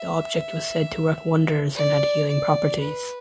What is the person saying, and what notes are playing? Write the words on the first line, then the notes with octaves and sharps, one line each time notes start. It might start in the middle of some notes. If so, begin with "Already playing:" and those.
The object was said to work wonders and had healing properties.
Already playing: E5
D5
D5
B4